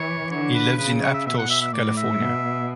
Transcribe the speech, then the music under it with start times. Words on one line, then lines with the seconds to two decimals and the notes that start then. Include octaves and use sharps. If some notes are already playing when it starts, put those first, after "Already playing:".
He lives in Aptos, California.
Already playing: E3 C#5
0.31 D3 C#5
0.55 B4
0.78 C#3 B4
1.02 C#5
1.14 E5
1.26 B2 E5
1.38 F#5
1.50 E5
1.61 E5
1.73 A2 D5
1.97 E5
2.21 B2